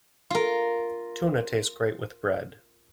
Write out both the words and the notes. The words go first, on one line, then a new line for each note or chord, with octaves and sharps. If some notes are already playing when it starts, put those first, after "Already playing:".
Tuna tastes great with bread.
F4 A#4